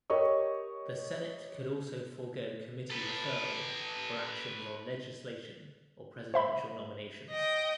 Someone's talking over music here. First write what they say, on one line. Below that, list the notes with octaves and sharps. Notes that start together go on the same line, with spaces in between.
The Senate could also forgo committee referral for actions on legislation or presidential nominations.
G4 A#4 C#5 D#5 C#6
A4 B4
C5 E5 B5
D#5 G5